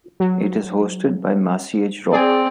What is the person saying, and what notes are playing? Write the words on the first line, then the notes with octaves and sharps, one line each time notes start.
It is hosted by Maciej Rock.
F#3
C4 G#4 D5